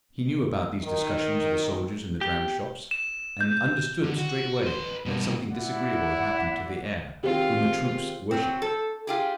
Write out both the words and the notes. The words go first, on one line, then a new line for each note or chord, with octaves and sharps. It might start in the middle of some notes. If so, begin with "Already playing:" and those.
He knew about these discussions of the soldiers in the dramshops, and understood straightway that something disagreeable had happened to the heir, whom the troops worshipped.
D#3
G4
E7
G6
D3
F#4
B4 C6
G2 B2
E4 D5 F#5
D#3 C4 F4 G4 G#4
F#3 C4
A4
F4 G4 G#4